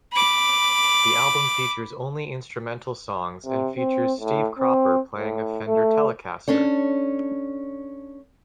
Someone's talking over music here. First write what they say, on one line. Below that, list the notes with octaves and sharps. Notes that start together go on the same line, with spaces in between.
The album features only instrumental songs and features Steve Cropper playing a Fender Telecaster.
B5 D6
C3
C4
A2
C4
A2
A3
C#4 D4 A4 C#5